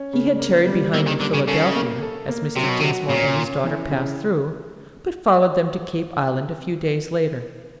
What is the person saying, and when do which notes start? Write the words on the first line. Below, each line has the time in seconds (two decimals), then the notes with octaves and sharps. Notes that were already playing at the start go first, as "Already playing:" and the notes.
He had tarried behind in Philadelphia, as Mr. Dinsmore and his daughter passed through, but followed them to Cape Island a few days later.
Already playing: C#4
0.13 C#3
0.39 A#3
0.67 G3
0.94 E3 A#3
1.07 D#3
1.21 D3 G3
1.34 C#3
1.47 C#3 A4
1.75 A#3
2.02 A4
2.28 A#3
2.56 C3 F#3
2.68 B2
2.80 C3 F#4
3.09 A#2 C#4
3.36 C#4
3.64 E3
3.91 C#3